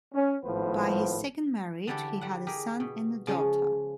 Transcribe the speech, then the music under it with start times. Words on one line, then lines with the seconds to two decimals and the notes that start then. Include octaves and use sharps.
By his second marriage he had a son and a daughter.
0.14 C#4
0.44 G#1 A2 F3 B3 B4 C5
1.87 D3 E3 G3 E4 G4 A4
2.21 G3 F#5
2.47 G4 G#4 A#4
2.80 B2
3.27 C#3 F3 G#3 C#4 F4